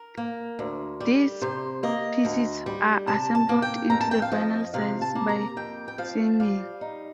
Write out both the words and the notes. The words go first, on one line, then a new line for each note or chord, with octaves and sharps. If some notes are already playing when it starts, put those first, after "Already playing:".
These pieces are assembled into the final size by seaming.
Already playing: A#4
A#3
D2
G3
C3 C5
A#3 D#5
D2
G3
C3 A5
A5
A#3
G5
F2 A#5
A5
G5
F5
F3 D#5
C3 F5
A5
A#3
A#5
F2 G5
G5
F3 F5
G3 F5
D#4